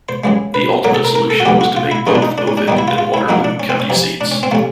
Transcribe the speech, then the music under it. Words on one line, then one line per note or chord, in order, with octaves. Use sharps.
The ultimate solution was to make both Ovid and Waterloo county seats.
C5
F#2 C#3 E3 G#3
B4
A2 F#3 A3 A#4
A4
A#4
A#4
A4
F#4
F2 D3 G3 B3 G4
F#4
F4
E4
F#2 C#3 E3 D#4
D4
D#4
D4
C#4
D4
D#2 D#3 G3 D#4
E4
F4
F4
E4
F2 C#3 F#3 A#3 D#4
D4
C#4
C4
C#4
F2 C3 E3
D4
C#4
C4
C3 F3 A3 C#4